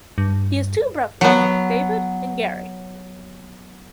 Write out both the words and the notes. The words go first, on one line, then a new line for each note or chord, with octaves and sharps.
He has two brothers, David and Gary.
G2
F#3 B3